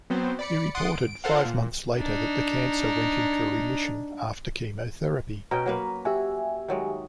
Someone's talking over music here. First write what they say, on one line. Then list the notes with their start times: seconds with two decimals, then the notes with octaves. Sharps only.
He reported five months later that the cancer went into remission after chemotherapy.
0.10 F#3 B3 C4 C5
0.39 D5 B5 C#7
0.75 F#5 C6 D#6 F#6 A6 D7
0.89 D7
1.24 F4 A4 A#4 C5 F5 F#5
1.45 A#2
1.98 D4 D#4
5.51 B2 C#4 G5 A#5
5.66 F#3 A#3 B4
6.05 F#4 G4 E5 G#5
6.68 D#3 F#3 G#3